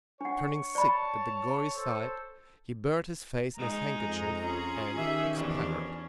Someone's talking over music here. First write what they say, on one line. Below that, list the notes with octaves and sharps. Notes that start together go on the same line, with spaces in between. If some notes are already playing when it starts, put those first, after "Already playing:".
Turning sick at the gory sight, he buried his face in his handkerchief and expired.
D4 C#5 F#5
D5 A5 B5
A4 C5
G#3 D#4 A#5
F2
C#4 F4 G#4
D#3 G4 E5
E2 F3 C#4 D4